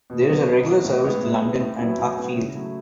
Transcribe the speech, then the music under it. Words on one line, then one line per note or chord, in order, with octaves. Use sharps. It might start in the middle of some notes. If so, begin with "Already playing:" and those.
There is a regular service to London and Uckfield.
B2
F#3 B3
B2
F#3 B3
A2
G#3 B3 E4
A2
G#3 B3 E4
A2
F#3 B3 E4
A2
F#3 B3 E4
C#3
F#3 A3 E4